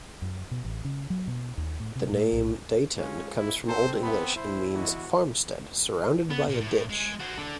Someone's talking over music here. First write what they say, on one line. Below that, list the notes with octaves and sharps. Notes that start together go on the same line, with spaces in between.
The name Deighton comes from Old English and means "farmstead surrounded by a ditch".
F#2
B2
A1
C#3
F#3
B2
D#2
A2
C3
A2
B1
G#3 C#4 F4
E4
C4 A4 C5 A5 A#5
B3 E5 A5 B5
E4 C5
E2 F#4 D#5
B3
A#2
A2
G#3
F#4 C5
D4 A4